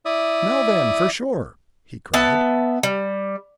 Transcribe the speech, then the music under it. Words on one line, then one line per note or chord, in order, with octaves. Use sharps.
"Now, then, for shore," he cried.
E4 D5 E5 D#6
B3 E5 A5
G3